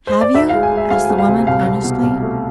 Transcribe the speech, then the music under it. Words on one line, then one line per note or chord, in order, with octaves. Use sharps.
"Have you?" asked the woman, earnestly.
C5
D5
D2 E5
F5
G#3
G#5
G#3 E5
D2 F5
G#5
D2
F5
C3
C2 F5
C2
B2
C2
A3